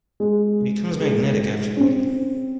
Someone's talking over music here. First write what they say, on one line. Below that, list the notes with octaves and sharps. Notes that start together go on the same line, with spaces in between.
It becomes magnetic after heating.
G#3
G#3
C#4
C4